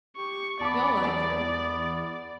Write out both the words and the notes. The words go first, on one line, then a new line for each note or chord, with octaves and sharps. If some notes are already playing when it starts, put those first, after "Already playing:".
We all like her.
G4 C#6
E2 B3 D5 A5 B5 D6